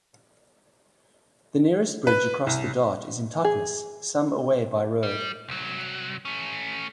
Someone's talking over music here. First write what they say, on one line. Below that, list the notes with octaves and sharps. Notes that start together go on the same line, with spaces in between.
The nearest bridge across the Dart is in Totnes, some away by road.
B4
C2
G#4
G3
C2 F#3
A3 C#4